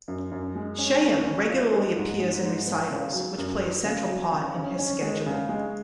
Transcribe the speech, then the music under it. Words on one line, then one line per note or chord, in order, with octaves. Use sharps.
Shaham regularly appears in recitals, which play a central part in her schedule.
F#2
F#2
G#3
C#4
C#4
C#4
F4
G#3
G#2
G#3
G#2
B3
C#3
F#3
F#2
F#3
C#3
F#3
C#3
C#4
C#4
G#3
C#3
G#3